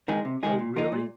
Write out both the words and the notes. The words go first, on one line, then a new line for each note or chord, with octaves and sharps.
Oh, really?
D#3 G#3 D#4 G#4
C3
D#3 G#3 D#4 G#4
A#2
F3 A#3 D#4
A#2